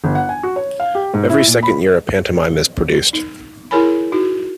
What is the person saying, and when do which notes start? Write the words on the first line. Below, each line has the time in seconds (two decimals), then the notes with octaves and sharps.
Every second year a pantomime is produced.
0.04 G1
0.15 F#5
0.29 G#5
0.43 F#4
0.56 C#5
0.80 F5
0.95 G4
1.14 G#2
1.30 E4
1.47 A#2
1.63 B5
3.13 D#4
3.71 E4 G#4 A#4 C#5 G#5 B5
4.12 D#4 F#4